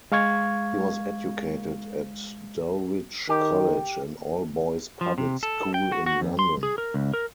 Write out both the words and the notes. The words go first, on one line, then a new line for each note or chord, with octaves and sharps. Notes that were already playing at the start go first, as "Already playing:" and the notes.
He was educated at Dulwich College, an all-boys public school in London.
G#3 F5 C#6 G#6
D#3 G4
F3
C3
A4
G5
F#4
F#4
F2
C6
G#4
A#4
C#2
A#4